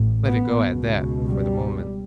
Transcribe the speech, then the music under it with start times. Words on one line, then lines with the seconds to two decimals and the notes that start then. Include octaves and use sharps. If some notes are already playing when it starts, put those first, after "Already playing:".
Let it go at that, for the moment.
Already playing: A1 A2
0.25 B3
0.58 C#2 B2
1.27 G3